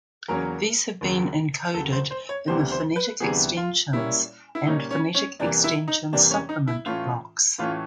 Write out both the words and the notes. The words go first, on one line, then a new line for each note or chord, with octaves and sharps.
These have been encoded in the "Phonetic Extensions" and "Phonetic Extensions Supplement" blocks.
E2 C#3 F#3 A#3 C#4 A#4
D#2 C#3 F#3
D#2 C#3 F#3 A4
C5
C5
C#5
D2 C3 E3 G3 B3 C5
C5
B4
D2 C3 E3 G3 B3 G#4
F4
A#2 G3 A#3 C#4 E4
E4
A#2 G3 A#3 C#4 D#4
C#4
C#4
E2 C3 E3 G3 A#3 D4
E4
D#4
E2 C3 E3 G3 A#3 D4
C#4
D#4
E4
A2 E3 A3 C#4 F4
A2 E3 A3 C#4 F4